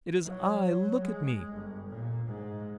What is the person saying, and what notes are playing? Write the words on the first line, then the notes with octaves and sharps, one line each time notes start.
It is I! Look at me!
F#3
G#3
G1
A#2
G#2